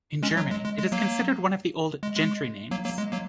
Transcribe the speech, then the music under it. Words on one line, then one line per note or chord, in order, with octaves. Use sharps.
In Germany it is considered one of the old "gentry names".
G#3 C#4
F#3
G#3
G#3
G#3
F#3 A#3
G#3
G#3
F#3 A#3
F#3 A#3
G#3
F#3 A#3